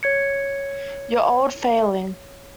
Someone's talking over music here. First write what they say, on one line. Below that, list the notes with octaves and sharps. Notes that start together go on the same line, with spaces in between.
Your old failing.
C#5 G#6 C#7